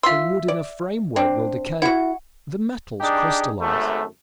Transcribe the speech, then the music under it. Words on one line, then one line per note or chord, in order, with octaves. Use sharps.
The wood in a framework will decay, the metals crystallize.
F4 E5 C6 E6
D5
C4 D4
E4 F#4 F#5
D4 D#4 G4 G#4
G#1 F#2 A3